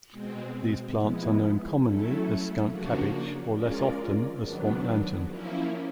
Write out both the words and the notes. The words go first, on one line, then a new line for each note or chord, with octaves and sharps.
These plants are known commonly as skunk cabbage or less often as swamp lantern.
B2 G#3 C4
F3 G#3 B3 E4
F#3 A3 C#4 E4 A4
C#3 F3 A#3 D4 F#4
G#3 C#4 F4 A#4 D5
G#2 D#3 F#3 B3 D4
F3 A#3 C#4 E4